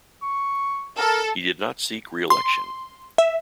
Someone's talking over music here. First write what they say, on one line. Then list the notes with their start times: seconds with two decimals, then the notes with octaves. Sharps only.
He did not seek reelection.
0.23 C#6
0.98 A4 A#4
2.30 C6
3.18 E5